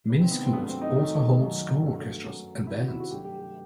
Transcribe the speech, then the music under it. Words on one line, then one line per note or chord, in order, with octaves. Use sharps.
Many schools also hold school orchestras and bands.
C2 C3 D#3 B4
C4
B3
C4
G2 F#3 A3 B3
C4
D#4
F#2 D#3 A3 D#4
F#2 D#3 F#3
G2 F#3 A3
F#2 F#3 A3
E2 C3 D#3 E4
F#4
E4
F#4
G2 F#3 A3 G4
G4
G4